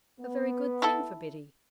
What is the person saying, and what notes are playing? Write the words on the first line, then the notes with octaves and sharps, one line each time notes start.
A very good thing for Biddy.'
B3
E4 A4